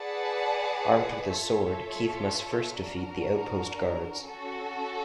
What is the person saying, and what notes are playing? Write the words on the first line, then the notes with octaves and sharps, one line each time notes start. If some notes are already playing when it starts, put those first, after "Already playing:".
Armed with a sword, Keith must first defeat the outpost guards.
Already playing: G#4 B4 D5 F#5 A5
F4 A4 C#5 E5
D4 F#4 A#4
C#4 F#4 A4